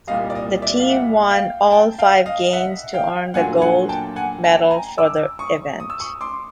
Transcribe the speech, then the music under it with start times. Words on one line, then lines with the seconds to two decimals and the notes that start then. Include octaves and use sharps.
The team won all five games to earn the gold medal for the event.
0.07 C2 A#2 G3 D#5 F5
0.30 D5
0.35 D#5
0.62 D5 E5
0.80 F5
0.89 E5 F#5
1.31 F5 G5
1.71 G5 A5
1.98 F5 G5
2.26 D#5 F5
2.53 E5 F#5
2.94 F5 G5
3.34 A#2 F#3 A3 D4 F4 F#5 G#5
3.62 F#5 G#5
3.89 G5 A5
4.16 F#5 G#5
4.44 G5 A5
4.71 G#5 A#5
4.98 D6 E6
5.39 C#6 D#6
5.80 D#6
5.90 E6
6.00 C#6 D#6
6.21 C6 D6